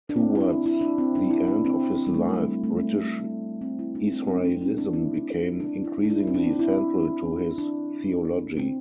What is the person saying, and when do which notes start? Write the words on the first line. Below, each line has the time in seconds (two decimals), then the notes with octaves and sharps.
Towards the end of his life British Israelism became increasingly central to his theology.
0.09 D4
0.16 C4
0.35 E4
0.41 D4
0.66 E4
0.81 D4
0.98 C4
1.15 D4
1.31 E4
1.47 D4
1.65 C4
2.07 G3
2.14 A3
2.38 G3
2.64 A3
3.61 C4
3.79 E4
3.95 D4
4.12 C4
4.27 C4
4.44 D4
4.61 E4
4.78 D4
4.93 E4
5.60 D4
5.84 E4
6.05 D4
6.10 E4
6.27 C4
6.34 D4
6.59 E4
7.58 D4
8.57 C4